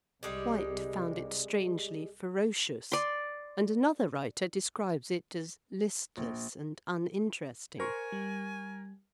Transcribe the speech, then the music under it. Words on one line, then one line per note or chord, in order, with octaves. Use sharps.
White found it strangely ferocious, and another writer describes it as listless and uninteresting.
C2 G3 G#3 G4
D5 C6
A#1
A#4 C5 G#5 C#6
G3